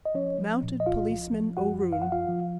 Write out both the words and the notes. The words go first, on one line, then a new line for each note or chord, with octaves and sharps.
Mounted Policeman O'Roon.
D#5
F3 C#4 C#5
F3
A#2
D#5
C2 F4 F5
F3
F3
F#2 F#4 F#5
F#2
F5
F3 F#5
F4 F5
F3